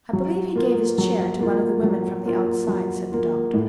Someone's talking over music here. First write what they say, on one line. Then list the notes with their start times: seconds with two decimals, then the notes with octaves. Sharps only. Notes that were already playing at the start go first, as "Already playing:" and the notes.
"I believe he gave his chair to one of the women from the outside," said the doctor.
0.13 F#3
0.56 A#3 F4
0.98 F#3
1.40 A#3 F4
1.83 F#3
2.25 A#3 F4
2.68 F#3
3.12 A#3 F4
3.54 A2